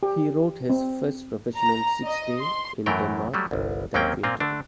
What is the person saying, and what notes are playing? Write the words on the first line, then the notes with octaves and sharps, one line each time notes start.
He rode his first professional six-day, in Denmark, that winter.
G4
C4
A#5
D#5
C6
F#2 E3 F#3 A3 A#4 G5
F#3 G3 A3
G1 C2
D#2 F#3 A#3 C4 C#4 G5
A#2 A#3 C4 F4
D3 A3 D4